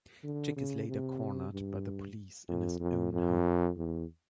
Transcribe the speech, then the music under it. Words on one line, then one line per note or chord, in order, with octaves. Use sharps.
Chick is later cornered by the police in his own home.
D3
C#3
C3
G2
F2
F2
F2
E2